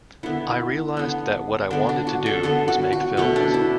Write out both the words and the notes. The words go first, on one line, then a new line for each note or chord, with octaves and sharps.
I realized that what I wanted to do was make films.
D3 B3 E4
D3 B3
D3 B3 D4
D4
F#4
A4
D3 B3 A4
F#4
F#4
B2 A3
D4
E4